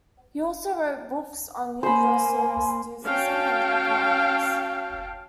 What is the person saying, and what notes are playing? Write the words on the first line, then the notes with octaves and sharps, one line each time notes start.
He also wrote books on Universal Sufism and economics.
A#3 C5 G#5 B5
C#4 F#4 F5 G5 A5